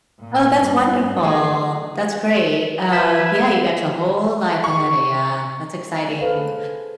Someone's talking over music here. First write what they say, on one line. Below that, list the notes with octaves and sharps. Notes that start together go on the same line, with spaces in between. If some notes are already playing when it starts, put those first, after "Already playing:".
Oh, that's wonderful. That's great. Um, yeah, you got your whole life ahead of ya, that's exciting.
A#2
G2
E3 F#3 A3 G#4 D#5
B4 E5 G#6
C#6
G#4 A4 B4 C5 F5